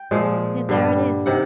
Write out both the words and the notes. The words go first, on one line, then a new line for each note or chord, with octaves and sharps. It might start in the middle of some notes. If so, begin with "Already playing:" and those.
Yet there it is.'
Already playing: G5
A#2 F3 G#3
G2 D3 G3
C3 D#3 F#5